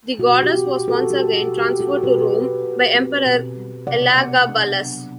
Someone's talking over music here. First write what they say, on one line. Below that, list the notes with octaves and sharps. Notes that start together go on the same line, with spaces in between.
The goddess was once again transferred to Rome by emperor Elagabalus.
B2 F#4
G4
C4
B2
F#4 A4
G3 G4
F#4
B2
G4
C4
F#4 A4
B2 G4 B4
G3
B2
C4
B2
G3
C3 D5 F#5
B3
D4
F#3